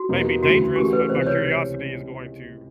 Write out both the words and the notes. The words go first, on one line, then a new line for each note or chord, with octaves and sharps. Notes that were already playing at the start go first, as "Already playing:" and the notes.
may be dangerous, but my curiosity is going to
Already playing: F#4
E2 B2 G3 A#3 D#4
D2 C#3 E3 F#4
E3 A3 C#4 F#4 G4 A#4
B4
C#2 C3 E3 C5
B4 C#5